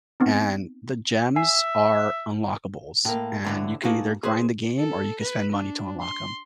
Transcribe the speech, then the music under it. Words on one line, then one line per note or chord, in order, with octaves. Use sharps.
and the gems are unlockables, and you can either grind the game or you can spend money to unlock 'em,
B3 C4 D#4
E5 G#5 C7
A2 A#3
A2 D3 E3
A#3 D#4 F#4 G#4 A4 B4
G#4 B4 C5
A4
B4
D4
C6